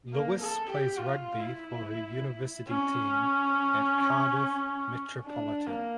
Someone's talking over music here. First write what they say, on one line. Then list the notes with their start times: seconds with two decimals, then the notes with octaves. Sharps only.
Lewis plays rugby for her university team at Cardiff Metropolitan.
0.13 A#3
0.41 A4
0.70 G4
0.99 F4
1.40 E4
2.68 C#4
5.25 D4
5.67 A#3